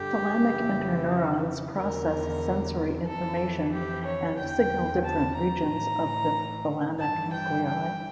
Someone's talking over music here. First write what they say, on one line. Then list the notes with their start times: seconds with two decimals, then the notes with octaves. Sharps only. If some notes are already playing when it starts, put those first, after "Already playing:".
Thalamic interneurons process sensory information and signal different regions of the thalamic nuclei.
Already playing: G2 D3 G4
0.45 F2 C#3 E3
1.76 E2 D3 A#4
3.07 F2 E3 A4
3.73 G4
4.05 C#5
4.38 E2 D3 G5
5.04 A5
5.37 A#5
5.69 A2 E3
7.00 G2 E3 A5
7.33 G5
7.66 G5